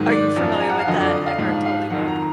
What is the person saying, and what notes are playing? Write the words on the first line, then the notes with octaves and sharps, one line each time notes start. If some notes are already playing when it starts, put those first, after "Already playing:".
are you familiar with that Eckhart Tolle book?
Already playing: G#2 D#3 F#3
D5
F#2 F3
A#5
G#5
F#5
F5
F2 D3 F#3 D#5
D5
D#5
F5
G#2 F3 F5
F5
F2 D#3 F#3 F#5
A#5